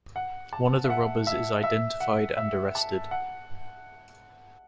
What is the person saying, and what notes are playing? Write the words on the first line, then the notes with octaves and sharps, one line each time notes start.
One of the robbers is identified and arrested.
F#5
A5
E5
F#5
E5
E5
F#5
E5
A5
F#5